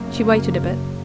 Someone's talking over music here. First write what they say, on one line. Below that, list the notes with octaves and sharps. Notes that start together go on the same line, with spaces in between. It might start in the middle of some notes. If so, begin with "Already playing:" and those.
'She waited a bit.
Already playing: F#2 C#3 A#3